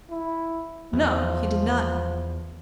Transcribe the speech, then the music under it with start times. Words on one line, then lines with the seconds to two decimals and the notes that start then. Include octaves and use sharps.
"No, he did not."
0.10 E4
0.93 E2 F3